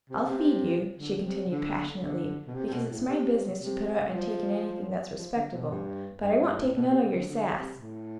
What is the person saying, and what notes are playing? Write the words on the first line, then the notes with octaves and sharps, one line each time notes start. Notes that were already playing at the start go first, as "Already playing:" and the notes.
"I'll feed you," she continued passionately, "because it's my business to put up and take in anything that's respectable; but I won't take none o' your sass!"
C3
C3
D3
C3
D3
D3
B2
C3
C3
B2
A2
C3
C3
F3
F3
D3
B2
G2
G2
G2
A2
B2
C3
C3
D3
D3
C3
A2